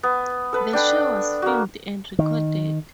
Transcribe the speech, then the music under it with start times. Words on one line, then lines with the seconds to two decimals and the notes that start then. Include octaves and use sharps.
The show was filmed and recorded.
0.03 B3
0.53 A4 B4
0.73 D4 G5 B5
1.42 A#3 F#4
2.19 D#3